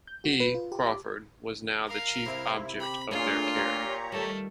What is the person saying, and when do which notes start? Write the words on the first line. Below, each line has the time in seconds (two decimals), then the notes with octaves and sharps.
He, Crawford, was now the chief object of their care.
0.07 G6
0.24 F#4
0.40 B4
0.54 F4
0.72 G4
0.87 D6
1.87 A#4 F5
2.26 C3 C4 E4
2.80 G4 B5
3.11 A#2 A3 D4 F4 G#4 C#5
3.56 G4 C#5 A#5
4.12 D#3 G3 A3